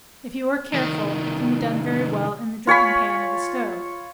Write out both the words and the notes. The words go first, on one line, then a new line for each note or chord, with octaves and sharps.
If you are careful, it can be done very well in the dripping-pan of a stove.
C2 D#3
F4 C#5 G#5 B5